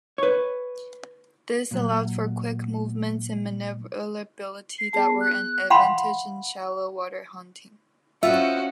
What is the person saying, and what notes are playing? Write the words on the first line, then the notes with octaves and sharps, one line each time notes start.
This allowed for quick movements and maneuverability that were an advantage in shallow-water hunting.
B4 C#5
A#2 F#3
C7
B3 G#4 A5
F#6
F5 F#5 B5 C6
C#4 F4 F#4 C5 D#5 E5